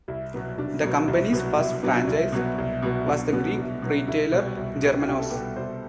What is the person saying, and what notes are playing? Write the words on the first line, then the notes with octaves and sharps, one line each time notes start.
The company's first franchisee was the Greek retailer Germanos.
C2 E4
B2 F#3 B3
C2 D4
B2 F#3 B3
C2
B2 F#3 B3
C2 E4
B2 F#3 B3 D4
C2 E4
B2 F#3 B3
C2
B2 F#3 B3
C2 D4
B2 F#3 B3
C2
B2 F#3 B3
C2 E4
B2 G3 B3
C2
B2 G3 B3
C2 G4
A4
B2 G3 B3 G4
C2 C5